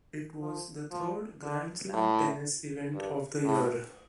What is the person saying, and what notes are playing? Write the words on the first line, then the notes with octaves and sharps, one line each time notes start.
It was the third Grand Slam tennis event of the year.
F3
F3
D3
A2
G2
A2